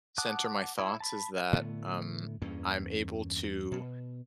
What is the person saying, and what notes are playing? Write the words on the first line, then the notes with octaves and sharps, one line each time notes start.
center my thoughts is that, um, I'm able to
F#5 A5 D6 D#6 F#6
E4
A5 B5
A2 D3 A3 B3
E2 G2 A#3 C#4
B2